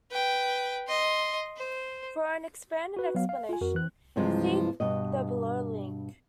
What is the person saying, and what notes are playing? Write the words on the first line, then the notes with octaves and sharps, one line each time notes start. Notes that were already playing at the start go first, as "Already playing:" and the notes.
For an expanded explanation, see the below link.
B4 G5
D#5 C6
C5
F#4 B4
F#3 B3 F5
F5
F4 G#5
F2 F#4 A#4
E3 F#6
G2 C3 E3 F3 G#3
G2 B2 D#5